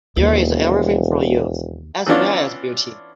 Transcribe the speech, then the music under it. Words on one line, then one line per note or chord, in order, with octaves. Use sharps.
There is every thing for use as well as beauty.
E1 D#2
E3 B3 C#4 D4 F4